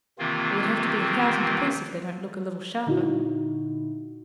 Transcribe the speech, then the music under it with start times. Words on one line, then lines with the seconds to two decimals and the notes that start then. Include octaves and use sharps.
It will have to be a thousand a piece if they don't look a little sharper.'
0.19 C3 D#3 E3 A#3 C4 F4
2.86 A#2 D3 D#4 E4 F#4